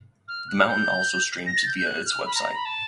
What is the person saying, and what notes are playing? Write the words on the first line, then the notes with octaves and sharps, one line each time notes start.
The Mountain also streams via its website.
F6
F#6
G6
A#6
A6
G6
G6
F#6
F6
B5
A#5
A#5
B5
A5